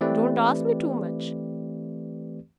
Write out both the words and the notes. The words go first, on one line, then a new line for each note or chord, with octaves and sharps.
'Don't ask me too much.
E3 A3 C4 G4 B4 D5